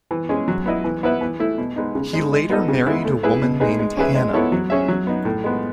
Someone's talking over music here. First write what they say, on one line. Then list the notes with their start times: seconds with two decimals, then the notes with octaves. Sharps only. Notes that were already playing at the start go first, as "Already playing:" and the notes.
He later married a woman named Hanna.
0.11 E3
0.29 G#3 C#4 G#4
0.48 F#3
0.66 B3 E4 B4 D#5
0.84 E3
1.03 B3 E4 B4 E5
1.21 E3
1.40 A3 E4
1.58 B2
1.76 G#3 B3 D#4
1.95 C#3
2.13 G#3 D#4
2.32 G#3
2.50 B3 D#4 A4 D#5
2.68 C#3
2.86 G#3 B3 E4 G#4
3.05 A3
3.23 E4 G#4 B4 E5
3.42 B2
3.60 G#3 D#4 G#4 B4
3.79 G#3
3.97 C#4 G#4 B4 E5
4.15 G#3
4.34 B3 E4 A4 C#5
4.52 F#3
4.70 C#4 G#4 C#5 E5
4.88 F#3
5.07 B3 D#4
5.25 A2
5.44 G#3 B3